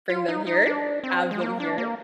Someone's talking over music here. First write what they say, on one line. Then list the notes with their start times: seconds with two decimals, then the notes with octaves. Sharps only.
bring them here have them here.
0.09 F4
0.28 D#4
0.47 D#4
0.66 D4
1.04 C4
1.31 G#3
1.41 A#3
1.60 D4
1.78 A#3